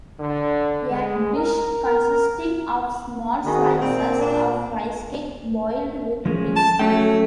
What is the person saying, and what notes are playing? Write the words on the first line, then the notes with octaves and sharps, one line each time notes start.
A dish consisting of small slices of rice cake boiled with beef.
D3
G#3
A#4
A#4
D#3 C4 F#4 G#4
A#2 A#3 C4
D4
F3 G#3 C#4
A5
F#3 A3 C#4 G5